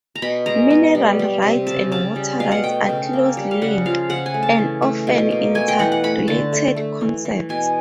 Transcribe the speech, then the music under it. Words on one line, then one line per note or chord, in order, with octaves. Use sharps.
Mineral rights and water rights are closely linked, and often interrelated concepts.
A#5
B2 B5
G#3 A#5
B3
G3
G3
C3
C#3 A5
C#3 A5
G3
B2 F5
F#5
A3 G5
C#3
A#3
G3
F5
C#3 F#5
F3 F5
C#3 F#5
G#5
A3
A5
E3
A3
B2
A#3
A3 G#5
G5
E3 F#5
F#5
A3 B5
D3 A5
A3
A3
E3
E3
B2 G#5